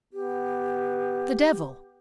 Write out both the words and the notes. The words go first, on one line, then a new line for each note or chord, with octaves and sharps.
"The devil!"
B3 G4